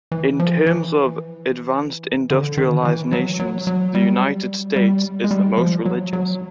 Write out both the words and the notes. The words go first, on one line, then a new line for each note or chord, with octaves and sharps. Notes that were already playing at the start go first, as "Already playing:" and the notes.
In terms of advanced industrialized nations, the United States is the most religious.
E3
F3
E3
D3
D#3
E3
F#3
F#3
F#3
G3
G3
G#3
G3
F3
F#3
F#3